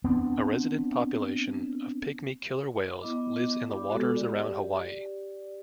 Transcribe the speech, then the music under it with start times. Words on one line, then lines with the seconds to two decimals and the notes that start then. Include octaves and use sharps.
A resident population of pygmy killer whales lives in the waters around Hawaii.
0.04 B3 C4 D4
3.01 B3 E4 D#5 D6
3.68 G4 D5 B5 D6
3.90 G#3 B3 F#4 A4
4.16 G4 D5